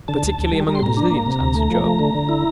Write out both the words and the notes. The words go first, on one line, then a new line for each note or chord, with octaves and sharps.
"Particularly among the Brazilians," answered Joam.
D3 A5
D2
D2
G3
G3 A#5
C6
A2 A#5
D4
A#3
C3
D2
A3
F3
A3
D3
D3
E4